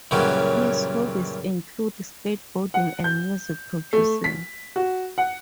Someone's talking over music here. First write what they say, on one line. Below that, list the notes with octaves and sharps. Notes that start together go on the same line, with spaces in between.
His hobbies include skateboarding and music producing.
F#2 A#2 C#3 E3 F#3 G3
F#5
G6
A3
B6
F#4
F#5